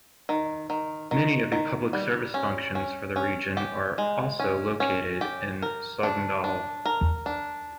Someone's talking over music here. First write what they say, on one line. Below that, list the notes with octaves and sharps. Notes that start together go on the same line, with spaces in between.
Many of the public service functions for the region are also located in Sogndal.
D#3
D#3
D#3
D#3
G3
C#4
C#4
C#4
G4
G#3
C#4
C#4
G4
A#4
D4
D4
A#4
D4